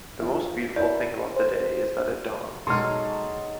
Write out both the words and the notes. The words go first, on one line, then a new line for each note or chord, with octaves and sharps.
The most beautiful thing about the day is that it dawns.
F3 F4 E5
E4 A#4 C#5 D5
C5
B2 F#3 G#3 D#4 G#4 A4 C6 F6